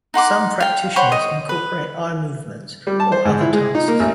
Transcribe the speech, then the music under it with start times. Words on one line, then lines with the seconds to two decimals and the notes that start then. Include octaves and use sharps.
Some practitioners incorporate eye movements or other tasks.
0.14 D#4 F#5 C6 D6
0.60 F5 G5
0.96 C5 C#5 F#5 B5
1.12 D#5
1.49 B4
2.87 G3
3.00 A5
3.12 C5
3.25 G#2
3.41 E4
3.53 G#3
3.75 D#4
3.88 A#3
4.00 A1